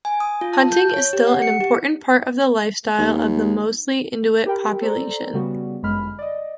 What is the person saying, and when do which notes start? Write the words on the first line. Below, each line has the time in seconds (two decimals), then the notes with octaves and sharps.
Hunting is still an important part of the lifestyle of the mostly Inuit population.
0.05 G#5
0.20 D#6
0.41 F4
0.53 A5
0.72 G6
0.93 C#5
1.13 G4
1.27 F#5
1.42 C#7
1.61 G4
2.99 D#2
4.46 G4 A#4 G5 B5
4.81 A4 C5 D5 A#5
5.33 C#3 G3 B3 F#4
5.83 G1 F#2 G#3 B5 F6
6.19 D5 D#5